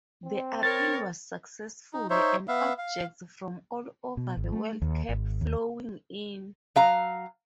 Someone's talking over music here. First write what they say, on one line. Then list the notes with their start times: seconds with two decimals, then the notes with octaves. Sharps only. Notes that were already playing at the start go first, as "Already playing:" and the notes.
The appeal was successful and objects from all over the world kept flowing in.
0.24 C4
0.63 A#4 C#5 A6
1.94 D#4
2.10 D#4 C5 C#5 E5
2.48 B3 E5 F5
2.78 F5
4.17 B2
4.37 G#1
4.52 A3
4.82 D#2
5.09 G#1
5.41 D#2
6.76 F#3 F5 A#5